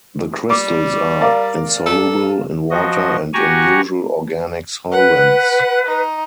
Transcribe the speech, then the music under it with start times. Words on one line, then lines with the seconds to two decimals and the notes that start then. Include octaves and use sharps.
The crystals are insoluble in water and in usual organic solvents.
0.50 G3 D6
1.21 A#4 D5 F5
1.86 A4
2.71 F3 F#4 D#5
3.34 F#4 G4 F#5 G#5 A#5 C#6
4.92 B4 F#5
5.86 D#4